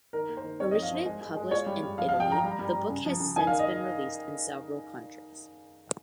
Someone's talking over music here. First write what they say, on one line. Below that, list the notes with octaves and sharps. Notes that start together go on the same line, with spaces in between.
Originally published in Italy, the book has since been released in several countries.
D#3 A#4
A#3
C5
D#3
C4 C#5
F3 D#5
F5
F3 C5
G#3
G#3
G#3
F4 C#5
G3
G3
F3 F5
F3 F5
G5
F3 A#5
G3
G3
G3
C#3
F3
C#3
D#3 G#5
D#3 F5
D#5